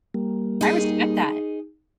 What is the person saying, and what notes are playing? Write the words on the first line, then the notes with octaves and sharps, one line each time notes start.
I respect that.
G3 A#3
D#4 G#4